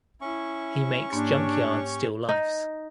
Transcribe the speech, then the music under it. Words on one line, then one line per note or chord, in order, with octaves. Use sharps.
He makes junkyard still lifes.
C#4 E4 C#6
G#2 A#3 D4 G4 C#5
D#4